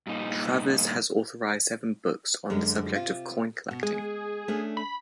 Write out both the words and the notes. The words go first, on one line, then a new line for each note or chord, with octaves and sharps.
Travers has authored seven books on the subject of coin collecting.
G2 A#2 D#4
F#2 D3 G#3
C3 F4
B2
G#3 G#4
A3 C#4 D4
B5